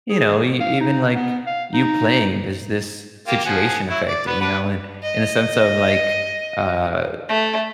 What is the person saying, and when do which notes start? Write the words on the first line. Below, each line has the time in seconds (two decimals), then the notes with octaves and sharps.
you know, e even, like, you playing, does this situation affect it, you know, and in a sense of, like, uh,
0.10 G#4
0.60 F5
0.80 D#4
1.15 B3
1.47 F5
1.73 D#4
3.27 A#3 F4 G4
3.45 F3 G#4 F#5
3.89 F#3 E4
4.08 D5
4.26 B3 B4
4.41 D4 B4 F#5
5.03 D#5
7.29 A3